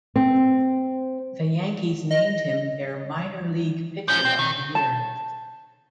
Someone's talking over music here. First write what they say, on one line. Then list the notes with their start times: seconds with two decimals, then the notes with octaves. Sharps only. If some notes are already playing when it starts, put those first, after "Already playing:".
The Yankees named him their minor league pitcher of the year.
0.16 C4
2.11 D#5
4.08 F3 C#4 G6
4.25 C4
4.39 D#3
4.75 A5